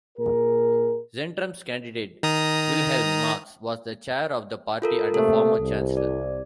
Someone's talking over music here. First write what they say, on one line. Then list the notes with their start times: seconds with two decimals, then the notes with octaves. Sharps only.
Zentrum's candidate, Wilhelm Marx, was the chair of the party and a former chancellor.
0.17 A#2 G#4 A#4
2.23 D#3 A#5 D#6
4.82 F4 A4 A#4
5.14 C3 A3 A#3 A4
5.59 C2
5.97 D5